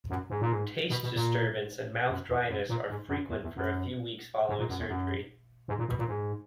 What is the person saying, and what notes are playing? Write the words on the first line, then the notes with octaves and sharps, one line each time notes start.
Taste disturbance and mouth dryness are frequent for a few weeks following surgery.
F#2
G#2
A#2
G#2
B2
B2
A#2
F#2
E2
F#2
A#2
G#2
F#2
E2
E2
F#2
G#2
A#2
F#2
E2
F#2
G#2
A#2
B2
A#2
G#2